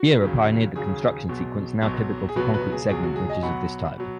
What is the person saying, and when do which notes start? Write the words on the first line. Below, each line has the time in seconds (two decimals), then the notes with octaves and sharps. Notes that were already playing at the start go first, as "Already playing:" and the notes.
Viera pioneered the construction sequence now typical for concrete segment bridges of this type.
Already playing: F#4
0.21 D#2 C#3 F#3
0.75 D#2 C#3 F#3 G#4
1.29 B1 B2 F#3
1.82 B1 B2 F#3
2.29 G#4
2.36 C#2 B2 F#3 F#4 B4
2.54 F#4 B4
2.72 G#4
2.89 C#2 B2 F#3 G#4
3.03 F#4
3.16 G#4
3.30 D#5 G#5
3.42 B1 B2 F#3 F#5 B5
3.98 B2 F#3